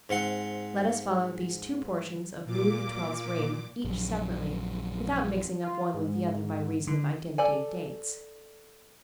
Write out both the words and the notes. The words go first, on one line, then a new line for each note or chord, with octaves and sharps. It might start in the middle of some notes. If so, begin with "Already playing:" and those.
Let us follow these two portions of Louis XII.'s reign, each separately, without mixing up one with the other by reason of identity of dates.
G#2 C4 F#5 C6
A#2 D6
A#1 F#2
F4
G#2
D3
A4 D5 G#5